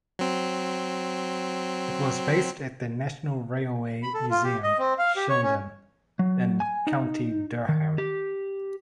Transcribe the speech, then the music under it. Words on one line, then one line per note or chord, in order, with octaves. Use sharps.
It was based at National Railway Museum Shildon in County Durham.
F#3 C4
B5
A4
F4
G4
D#5
C4
F5
G4
C#5
C#4
F#3
G#5
D#4
D#3
G4